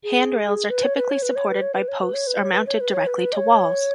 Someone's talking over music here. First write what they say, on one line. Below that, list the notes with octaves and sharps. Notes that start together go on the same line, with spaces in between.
Handrails are typically supported by posts or mounted directly to walls.
G#4
B4
C#5
B4
C#5
B4
C#5
B4
C#5
B4
C#5
B4
C#5
B4
C#5
B4
C#5
B4
C#5
B4
D#5
C#5